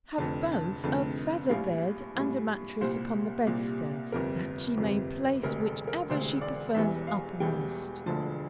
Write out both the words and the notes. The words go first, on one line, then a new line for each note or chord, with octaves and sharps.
Have both a feather bed and a mattress upon the bedstead, that she may place whichever she prefers uppermost.
F1 F2 D3 A5
A5
F1 F2 D3 A5
A#1 A2 G3 F5
A#1 A2 G3
C2 A#2 G3 C5
C2 A#2 G3
G1 F2 C3 A#4
G1 F2 C3
E1 D2 C3 A#4
A4
A#4
E1 D2 C3 C5
D5
E1 E2 E3 G3 E5
F5
E1 E2 E3 G3 G5
E1 D2 D3 F3 A5